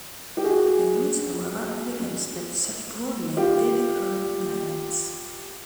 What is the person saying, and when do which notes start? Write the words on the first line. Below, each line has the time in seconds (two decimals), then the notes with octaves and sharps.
There is, however, evidence that such broadening did occur in dialects.
0.37 G4
0.44 F#4 G#4
3.37 F4 G4